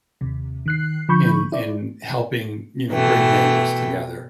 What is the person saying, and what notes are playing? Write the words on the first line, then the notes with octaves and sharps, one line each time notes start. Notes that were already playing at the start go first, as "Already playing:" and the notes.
in in helping, you know, bring neighbors together,
D#2 C3
D#3 F#6 C7
D3 F3 B5 C#6 G6
E4 D5
B2 E3 A3 G5